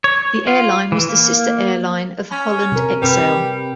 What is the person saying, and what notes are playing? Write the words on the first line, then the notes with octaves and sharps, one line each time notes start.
The airline was the sister airline of Holland Exel.
C#5
F4
E3
A#3
C#4
C3 A#4
C3 G3 B4